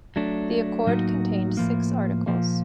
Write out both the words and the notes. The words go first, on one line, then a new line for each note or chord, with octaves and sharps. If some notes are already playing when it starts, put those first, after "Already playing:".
The accord contained six articles.
F#3 A3 D4
A2 F#3 A#3 D#4 F#4
A2 F3 A#3
A#2 F3 A#3